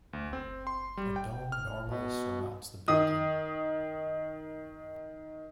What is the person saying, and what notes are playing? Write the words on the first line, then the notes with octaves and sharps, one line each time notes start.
A dome normally surmounts the building.
D2
C4
C6
G3
G5
F6
B2
D#3 D#6